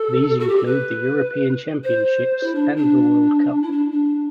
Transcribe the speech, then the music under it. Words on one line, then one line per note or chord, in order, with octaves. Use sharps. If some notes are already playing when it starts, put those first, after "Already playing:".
These include the European Championships and the World Cup.
Already playing: A4
F#4
G4
A4
B4
C5
E4
D4
D4
E4
D4
D4